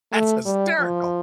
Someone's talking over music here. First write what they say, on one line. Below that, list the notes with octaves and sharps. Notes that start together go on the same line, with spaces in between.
that's hysterical.
A3
G3
F3